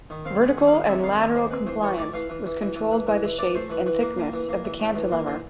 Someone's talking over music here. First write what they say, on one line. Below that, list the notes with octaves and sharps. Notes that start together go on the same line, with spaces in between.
Vertical and lateral compliance was controlled by the shape and thickness of the cantilever.
D#3
C4 F5
G#3 F#5
D#3
F5
G#3
C3 E5
D#3 F5
D#3 E5
G#3 C5
C4 B4
E3 C5
E3 C#5
A3 D5
E3 F5
E3
E3
E3
E3
E3
E3
E3
E3 D5
A3 C5
E3 B4
E3 B4
A#3
A#3
E3
A#3
E3
A2
E3
A#3
E3 C5